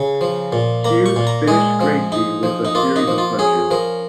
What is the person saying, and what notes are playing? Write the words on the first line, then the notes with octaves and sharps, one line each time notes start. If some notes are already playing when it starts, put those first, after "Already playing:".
Hughes finished Gracie with a series of punches.
Already playing: C#3
F3
A#2
A#3 A#5
C#6
A#2
A#5
G#3 G#4
F3
D#4
F3
D#4
A#3 F4
D#4
F3
F4
C#4 G#4
F3 A#4